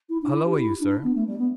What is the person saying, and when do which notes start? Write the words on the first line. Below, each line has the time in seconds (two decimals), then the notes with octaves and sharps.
Holloa, you sir!'
0.09 E4
0.22 D4
0.33 E4
0.45 G4
0.57 E4
0.80 D4
1.04 B3
1.15 A3
1.27 G3
1.39 B3